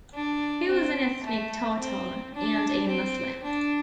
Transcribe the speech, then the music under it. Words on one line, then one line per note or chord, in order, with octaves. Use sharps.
He was an ethnic Tatar, and a Muslim.
D4
C4
A3
C4
D4
C4
D4